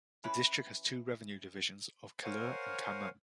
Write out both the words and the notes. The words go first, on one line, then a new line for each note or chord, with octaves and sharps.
The district has two revenue divisions of Kallur and Khammam.
E3 C#4 E4 B4
A#4 C5 C#5 F5 F#5 G#5